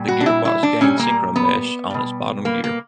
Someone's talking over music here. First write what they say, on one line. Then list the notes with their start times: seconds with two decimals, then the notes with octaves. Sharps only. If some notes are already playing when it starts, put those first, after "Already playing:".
The gearbox gained synchromesh on its bottom gear.
Already playing: A#2 G3
0.08 F#4
0.21 D4
0.26 E4
0.45 E4
0.63 D4
0.81 A#2 G3 C#4
0.99 A#3
1.36 B3
1.90 B2 G3
2.45 A#3
2.64 A#3